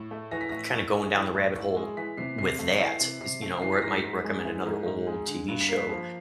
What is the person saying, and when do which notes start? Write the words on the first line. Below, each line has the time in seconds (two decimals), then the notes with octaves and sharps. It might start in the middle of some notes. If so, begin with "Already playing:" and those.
kinda going down the rabbit hole w with that, is you know, where it might recommend another old TV show,
Already playing: A2
0.11 A3
0.31 E3 A#6
0.41 B6
0.49 A2 A#6
0.73 A2
0.94 G#3
1.14 E3
1.35 A2
1.56 A2
1.76 G#3
1.97 E3 B6
2.17 C3 C7
2.38 C3 C7
2.59 A3 C7
2.79 E3 C7
3.00 C3
3.21 C3 C7
3.42 A3
3.62 E3 C7
3.72 B6
3.82 G#2 A#6
3.92 B6
4.04 G#2
4.24 G#3
4.45 E3
4.66 G#2
4.86 G#2
5.07 G#3
5.27 D3
5.48 G2
5.61 B6
5.68 A#3 C7
5.89 F3